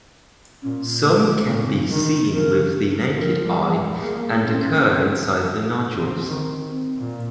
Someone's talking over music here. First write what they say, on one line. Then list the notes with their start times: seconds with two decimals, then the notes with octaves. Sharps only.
Some can be seen with the naked eye and occur inside the nodules.
0.62 A#2 C#4
1.05 A#3
1.47 C#3 C4
1.90 D#3 D#4
2.32 C#3 A#4
3.17 F3 A#4
3.45 G3
3.74 G#3
4.01 A#3 G#4
4.43 C4 C#4
5.99 C4
6.27 D#3
6.55 C4
6.97 A#2